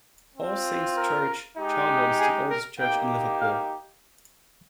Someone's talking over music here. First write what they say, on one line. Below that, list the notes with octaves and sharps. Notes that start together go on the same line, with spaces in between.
All Saints' Church, Childwall is the oldest church in Liverpool.
C4 F4
A#4
G#3 D#4 G4
G#4
A#4
A#3 D#4 G4 G5
F5